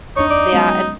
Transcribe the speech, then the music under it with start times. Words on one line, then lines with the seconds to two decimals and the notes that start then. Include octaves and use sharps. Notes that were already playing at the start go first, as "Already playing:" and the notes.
Yeah, and
0.17 D1 F2 D4 D#4 C#5
0.30 D5
0.53 F#3 G#3 B3 C#4